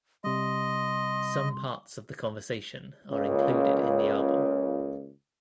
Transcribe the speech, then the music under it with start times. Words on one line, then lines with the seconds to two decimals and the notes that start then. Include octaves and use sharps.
Some parts of the conversation are included in the album.
0.24 C3 G3 D#5 C6
3.11 C#2 A#2 C#3